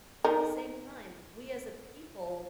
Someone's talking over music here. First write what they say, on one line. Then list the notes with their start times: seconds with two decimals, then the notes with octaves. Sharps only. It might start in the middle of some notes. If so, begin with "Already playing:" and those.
at the same time, we as a people
0.24 D#4 A#4